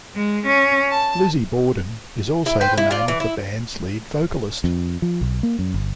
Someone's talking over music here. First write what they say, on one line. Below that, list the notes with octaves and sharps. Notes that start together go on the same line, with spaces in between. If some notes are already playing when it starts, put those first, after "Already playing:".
Lizzy Borden is also the name of the band's lead vocalist.
G#3
C#4
A5
E4
B4 C5 G5
E4
F4 D5
E3
E4
F2
F3
B1
A#3
F#2
G1